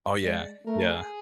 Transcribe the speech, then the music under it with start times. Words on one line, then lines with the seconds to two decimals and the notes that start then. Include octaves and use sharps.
Oh, yeah. Yeah.
0.23 G#3 D5
0.66 A3 A#4
0.89 G#4